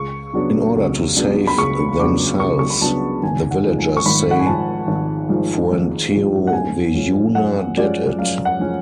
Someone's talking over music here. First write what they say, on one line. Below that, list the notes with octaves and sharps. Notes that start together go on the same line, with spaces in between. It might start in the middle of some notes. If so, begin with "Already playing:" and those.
In order to save themselves, the villagers say "Fuenteovejuna did it".
Already playing: C#2 C#6
C#3 F#3 B3 D4
C#2
C#3 F#3 B3 D4
B5
C#2 C#6
C#3 F#3 B3 D4 D6
C#2 C#6
C#6
B5
C#3 F#3 B3 D4 A5
G#1 G#5
F#5
G#2 F3
G#5
C#6
G#1 B5
F#5
G#5
G#2 F3 A5
G#1
G#2 F3
G#1
G#2 F3
F#5
F#2 G#5
F3 G#3 C#4
F#2 F#5
F3 G#3 C#4 D5
F#2 F5
F#5
F3 G#3 C#4